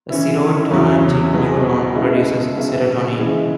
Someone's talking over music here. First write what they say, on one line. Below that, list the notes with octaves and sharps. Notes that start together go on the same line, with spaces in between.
A serotonergic neuron "produces" serotonin.
E3 C#4 E4
E2 C#3 F#3 C#4 E4
B2 F#3 B3 G#4
C#3 G#3 E4
C#3 F#3 C#4 G#4 E5
C#3 E3 G#3 E4 G#4